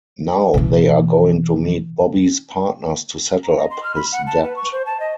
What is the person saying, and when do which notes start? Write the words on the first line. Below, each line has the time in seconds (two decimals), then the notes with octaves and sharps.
Now they are going to meet Bobby's partners to settle up his debt.
0.54 B2 E3
3.44 A#5
3.57 D#5
3.70 C6
3.84 F6
3.96 B5
4.12 F#5
4.27 A5
4.43 B4
4.56 C#6
4.72 C5
4.86 A5
5.00 D#5